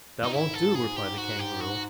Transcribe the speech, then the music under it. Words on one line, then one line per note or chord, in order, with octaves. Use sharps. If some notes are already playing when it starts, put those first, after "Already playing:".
"That won't do," replied the Kangaroo.
A2 D#4
G#2 E4
A4
G#4
G4
F#4
G4
F#4